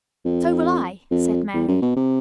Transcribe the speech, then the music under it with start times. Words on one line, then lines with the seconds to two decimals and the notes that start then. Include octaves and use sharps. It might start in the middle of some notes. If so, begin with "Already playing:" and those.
"So will I," said Mary.
0.25 F2
1.11 F2
1.54 E2
1.68 F#2
1.82 B2
1.96 C3